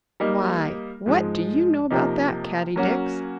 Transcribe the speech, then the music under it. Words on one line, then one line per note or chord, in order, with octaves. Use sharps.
"Why, what do you know about that, Caddie Dix?"
G3 A#3 D#4
G#2 F3 G#3
C3 F3 A#3 D#4
F#3 A#3 C#4 F#4